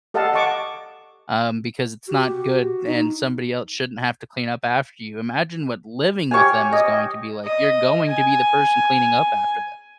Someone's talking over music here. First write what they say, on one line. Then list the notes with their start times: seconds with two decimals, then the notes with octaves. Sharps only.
um, because it's not good, and somebody el shouldn't have to clean up after you." Imagine what living with them is going to be like, you're going to be the person cleaning up after them.
0.14 G4 A4 D#5 F5 F#5 A5
0.33 D#5 F#5 A5 C#6 D6
2.08 F#4 G4
2.87 D#4
6.31 G4 C#5 F5 G#5
6.73 D#5
7.45 D#5
8.08 G#5